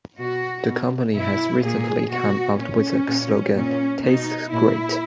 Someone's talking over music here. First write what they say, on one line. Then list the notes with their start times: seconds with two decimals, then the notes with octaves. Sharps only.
The company has recently come out with the slogan, Tastes great!
0.19 B2 F#4
0.67 B2
1.15 B2 E4
1.63 A#2 G#4
2.11 B2 F#4
2.59 A#2 C#4
3.07 A#2
3.55 A#2 C#4
4.03 B2 D#4
4.51 A#2 E4